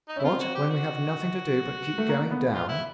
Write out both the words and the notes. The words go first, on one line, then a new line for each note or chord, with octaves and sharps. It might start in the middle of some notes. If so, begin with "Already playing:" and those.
"What, when we have nothing to do but keep going down!"
D#4
C#4
E4
C4 F4
F#4
G4
F#4
A3
A#3
B3
F4
E4